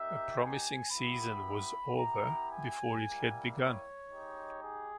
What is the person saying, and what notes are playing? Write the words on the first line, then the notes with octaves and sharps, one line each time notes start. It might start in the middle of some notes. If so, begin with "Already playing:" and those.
A promising season was over before it had begun.
Already playing: A#3 D#4 G4 E5
G#5
B3 E4 G4 B5
B3 E4 G4 A#5
G#5
G3 A#3 E4 G4
C#5
G#3 D#4 G4
G#4